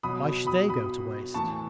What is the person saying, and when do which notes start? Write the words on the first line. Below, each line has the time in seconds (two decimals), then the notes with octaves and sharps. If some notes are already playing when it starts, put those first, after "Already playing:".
Why should they go to waste?
0.03 B2 F#3 B5 D#6
0.47 B5 D#6
0.69 B5 D#6
1.34 A2 E3 A5 C#6